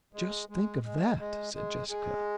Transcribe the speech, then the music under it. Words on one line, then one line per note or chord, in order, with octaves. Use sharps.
"Just think of that!" said Jessica.
G#3
G#3
G#3
G#3
G#3
G#3